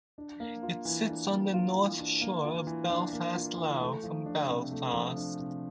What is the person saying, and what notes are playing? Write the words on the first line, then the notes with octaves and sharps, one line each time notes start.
It sits on the north shore of Belfast Lough, from Belfast.
D4
A#3
F4
E3
D4
A#3
F4
E3
D4
A#3
F4
E3
D4
A#3
F4
E3
A3
F3
D4
C3
A3
F3
D4
C3